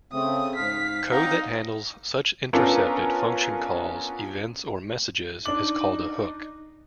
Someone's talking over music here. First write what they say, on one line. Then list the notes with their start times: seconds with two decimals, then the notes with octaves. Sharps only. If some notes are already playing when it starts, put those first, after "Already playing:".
Code that handles such intercepted function calls, events or messages is called a hook.
0.12 C#3 A3 C4 D#6
0.56 G#2 F5 B6
1.11 C4 D#4 D5 F5 F#5 A#5
2.53 B3 C#4 D4 F4 A4 A#4
5.46 D4 D#4 D6 F#7